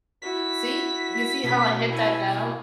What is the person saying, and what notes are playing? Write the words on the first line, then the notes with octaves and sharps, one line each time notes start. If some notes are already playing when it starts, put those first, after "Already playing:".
See, you see how I hit that note?
E4 F#4 B6
B2 A3 C#4
E4 G#5